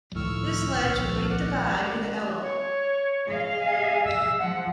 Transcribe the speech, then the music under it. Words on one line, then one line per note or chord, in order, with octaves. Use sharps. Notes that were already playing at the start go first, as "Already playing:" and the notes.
This led to a great divide in the Eloh.
C#2 A2 D#3 F3 C#6 E6 F6
A#1
D5 F#5
G#3 C4 C#4
C#5
G#4 D#5 F5
G#5
E6
F3 F#5